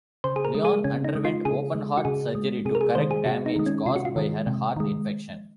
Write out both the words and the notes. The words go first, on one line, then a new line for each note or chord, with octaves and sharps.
Lyonne underwent open heart surgery to correct damage caused by her heart infection.
C#3 C5
G#4
A#4
G#3
G#4
C#3 C#4
D#4
G#3
F4
C#3 G#4
G#3
F#4
C#3 G#4
G#3
C3 G#4
A#4
G#4
D#3 G#3 C5
G#4
C3 F#4
D#4
D#3 G#3
C#4
C3 F4
F#4
F4
D#3 G#3
C3
D#3 G#3